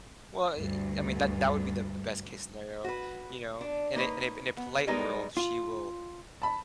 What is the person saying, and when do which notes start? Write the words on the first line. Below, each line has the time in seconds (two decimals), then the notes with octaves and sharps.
Well, eh, I mean, that that would be the the best case scenario, you know? In a in a in a polite world, she will
0.56 D2 G2
2.84 F#4 B4
3.61 D4
3.95 A#3 D#4 B4 C#5
4.57 B3
4.87 G3 G#3 B3 D#4 A#4 B4
5.37 F4
6.42 A5 B5